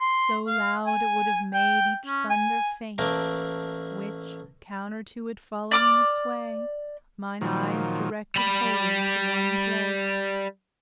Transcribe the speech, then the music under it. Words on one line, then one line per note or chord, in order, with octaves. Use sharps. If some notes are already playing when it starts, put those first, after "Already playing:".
So loud it would have made each thunder faint, Which, counter to it following its way, Mine eyes directed wholly to one place.
C6
F5
G#5
G5
C#4
G#5
A1 A3 A#3 A#4 D6
D5 D6 F6
A#2 D#3 F3 F#3
G3 B5